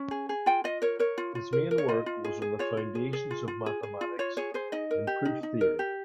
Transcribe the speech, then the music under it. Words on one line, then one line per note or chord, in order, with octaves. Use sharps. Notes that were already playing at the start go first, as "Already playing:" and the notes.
His main work was on the foundations of mathematics, in proof theory.
Already playing: C#4
G#4
G#4
F4 G5
F4 D#5
A#4 C#5
A#4 C#5
F4
F4
A#4
A#4
C#5
F4 D#5
F4
G#4
G#4
F4 C#5
F4
G#4
G#4
F4
F4
G#4
G#4
F4
F4 C#5
G#4 C#5
G#4 C5
D#4 D#5
A#4
G4
D#4
D#4
A#4
G4